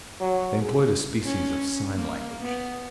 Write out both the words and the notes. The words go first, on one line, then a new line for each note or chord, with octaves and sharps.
They employed a species of sign language.
F#3
G#4
C#4
A#3
B3